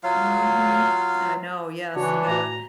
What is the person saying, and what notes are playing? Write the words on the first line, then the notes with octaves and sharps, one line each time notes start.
Mhm, I know, yes, you gotta
F#3 F4 F5
C#3 E3 D4 F#4 C#5
A2 F#4 A#5